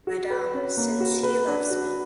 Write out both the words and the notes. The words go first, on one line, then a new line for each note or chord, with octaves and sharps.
Madam, since he loves me.
F#4
B4
C#4
A#3
F#4
B4
D4
F#4